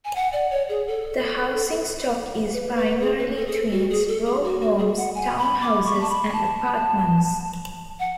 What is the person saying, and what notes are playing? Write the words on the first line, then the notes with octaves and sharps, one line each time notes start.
The housing stock is primarily twins, row homes, townhouses, and apartments.
G#5
F#5
D5
C#5
G#4
A4
B4
B4
G#4
B4
A4
G#4
A4
F#4
G#4
A4
G#4
F#4
F#4
G#4
F#5
G#5
B5
D6
C#6
A5
B5
A5
F#5